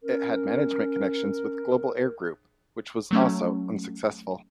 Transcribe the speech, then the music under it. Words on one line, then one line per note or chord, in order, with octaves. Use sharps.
It had management connections with Global Air Group, which was also unsuccessful.
C#4 A#4
F#3 A3 C#4